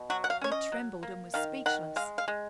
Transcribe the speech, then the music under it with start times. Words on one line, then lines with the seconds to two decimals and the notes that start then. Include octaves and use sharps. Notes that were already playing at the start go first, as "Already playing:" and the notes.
I trembled, and was speechless.
Already playing: B2
0.10 F#3 F#4
0.24 F#5
0.30 F5
0.41 C#4 C#5
0.52 D#5
0.72 F#3
1.03 A#3
1.34 D#3 F5
1.66 D#3 F#5
1.96 G#3 F5
2.18 F5
2.28 G#3